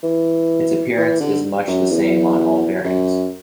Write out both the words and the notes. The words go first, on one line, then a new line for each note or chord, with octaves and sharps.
Its appearance is much the same on all bearings.
E3
E3
D3
F#2
E2
F#2